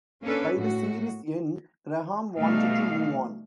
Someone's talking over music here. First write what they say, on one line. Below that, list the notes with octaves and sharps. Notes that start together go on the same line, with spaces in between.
By the series' end, Graham wanted to move on.
A#3 C#4 D4 A4 B4
A2 F#4
B2 E3 G3 A3 D#4 F5